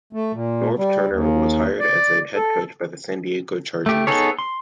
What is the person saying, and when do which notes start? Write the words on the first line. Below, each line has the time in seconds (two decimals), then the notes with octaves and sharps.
Norv Turner was hired as the head coach by the San Diego Chargers.
0.13 A3
0.33 A#2
0.77 G3
1.10 D#2
1.80 D5
2.36 A4
3.86 A3 G4
4.07 B3 D#4 G#4 A4 C#5
4.39 C6